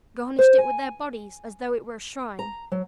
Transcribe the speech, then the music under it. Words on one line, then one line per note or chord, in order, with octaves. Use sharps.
Garnished it with their bodies as though it were a shrine.
C5
G#5
A#5
F#3